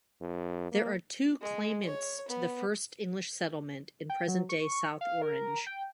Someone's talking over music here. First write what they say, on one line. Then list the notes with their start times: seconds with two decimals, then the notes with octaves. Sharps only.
There are two claimants to the first English settlement in present-day South Orange.
0.22 F2
0.72 A#3
1.41 G#3
1.85 C#5
2.28 B3
4.10 G5
4.28 F#3
4.49 C#6
5.01 F5
5.22 A#4
5.67 G5